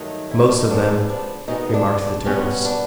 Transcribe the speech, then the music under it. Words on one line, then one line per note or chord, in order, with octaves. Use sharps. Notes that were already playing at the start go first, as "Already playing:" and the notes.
"Most of them," remarked the Turtles.
Already playing: G2 D#3 F#3 A3 D#4
E4
D#4
D4
D#4
C3 F3 G#3 B3 D4
D4
B2 G#3 B3 D#4
D4
D4
B2 G3 B3 C#4
D4